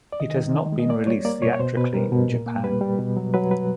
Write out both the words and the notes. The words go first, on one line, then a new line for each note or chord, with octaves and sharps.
It has not been released theatrically in Japan.
D5
D#3 D#5
D#3
D#3
G#3
D#5
A#3 D5
G3 C#5
A#3 D5
B2 C#5
C#5
B2 C5
B2 B4
G3 A#4
B2
A#2
A#3
G3 B4
G3
B2
F#3
F#3 B4
F#3 B4